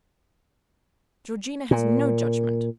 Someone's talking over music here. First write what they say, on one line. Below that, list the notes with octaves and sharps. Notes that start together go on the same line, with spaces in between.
Georgina has no judgment.
A#2